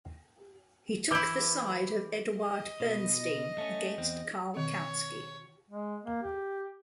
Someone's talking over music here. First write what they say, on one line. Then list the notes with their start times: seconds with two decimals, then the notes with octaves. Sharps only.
He took the side of Eduard Bernstein against Karl Kautsky.
1.11 E3 E4 D6 G6 D7
2.38 D#5
2.80 B2
3.58 A3 C#4
3.98 E2 C4
4.56 B2 D#3 C4 C#5
5.70 G#3
6.04 A#3
6.22 G4